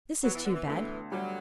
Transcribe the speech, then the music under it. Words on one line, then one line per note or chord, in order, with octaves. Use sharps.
This is too bad!
F#3 B3
E3
D3
E3
D2 E3
F#3 G3